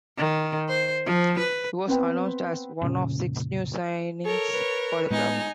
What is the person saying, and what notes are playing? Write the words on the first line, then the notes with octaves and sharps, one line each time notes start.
He was announced as one of six new signings for the club.
D#3
C5
F3
B4
B3 C4 B4 G5
F1 A#2 C#3 C#4
A4 A#4 C#5
B4
A2 G#3 B3 D#4 G#5